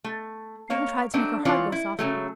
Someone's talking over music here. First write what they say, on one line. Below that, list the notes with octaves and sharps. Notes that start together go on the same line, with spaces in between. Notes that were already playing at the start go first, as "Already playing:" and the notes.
She even tried to make her heart go softly.
A3
A#3 C#5 F5
F#3 A3 C4 D4
E3 C4 F4 C#5 D5
E4
C#3 F#3 A3